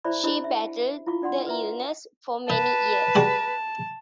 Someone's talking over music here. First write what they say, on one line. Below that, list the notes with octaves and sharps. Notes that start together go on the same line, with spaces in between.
She battled the illness for many years.
E4 C5 D5 E5 B5 C#6
D4 E4 G4 C5 D#5 B5
E5
E4 F4 F5 C#6
D4 D5 F#5 C6
B4 E5 A#5
D#4 B4 A5
G3 G#3 F#4